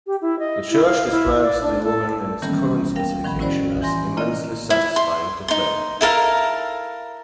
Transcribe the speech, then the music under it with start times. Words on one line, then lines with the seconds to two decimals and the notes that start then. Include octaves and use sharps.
The church describes the organ in its current specification as "immensely satisfying to play".
0.07 G4
0.21 E4
0.39 D#5
0.71 E4
0.85 F5
1.11 E4
1.42 D5
1.62 D4
1.83 A4
2.42 D#3 E3 G3 A#3 B3 C#4
2.96 A#4 F5 G5
3.24 A2 D#3 F3 F#5 B5
3.39 C#4 E4 F#4 C5 D5 B5
3.82 E3 G#5 C6 A#6
4.17 A#3 E4 F4 D5 D#5
4.70 E4
4.96 C6
5.48 D#4 C6
6.01 E4 A4 A#4 F5